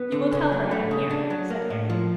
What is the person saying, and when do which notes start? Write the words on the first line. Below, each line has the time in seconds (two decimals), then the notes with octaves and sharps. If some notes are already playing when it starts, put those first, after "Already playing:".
'You will tell her I am here?' said Harry.
Already playing: B3
0.12 D3
0.31 C#3
0.52 F#3
0.71 A3
0.91 C#3
1.11 D4
1.30 F#3
1.50 A#3
1.70 A2
1.90 F3